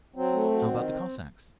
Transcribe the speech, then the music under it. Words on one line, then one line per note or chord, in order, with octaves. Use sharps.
"How about the Cossacks?"
F#3 C4
A3
F#3
D#3